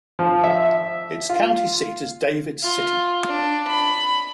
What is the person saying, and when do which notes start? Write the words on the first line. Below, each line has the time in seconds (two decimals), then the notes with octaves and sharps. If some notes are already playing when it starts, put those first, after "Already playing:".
Its county seat is David City.
0.19 F3
0.44 E5
1.30 F4
2.63 F4
3.27 D4
3.67 B5